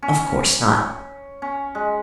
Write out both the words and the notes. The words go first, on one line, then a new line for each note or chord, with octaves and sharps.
Of course not!
C#4
C#4
G#3